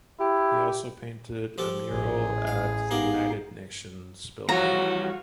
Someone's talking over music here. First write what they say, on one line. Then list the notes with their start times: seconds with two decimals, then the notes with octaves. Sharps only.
He also painted a mural at the United Nations building.
0.20 E4 G4
1.58 F3 G4 A4
1.91 A1 G#4
2.47 F5
2.91 B3 D#4 G4 A#4 F5
4.49 E3 F3 G3 F#4 C#5 A#5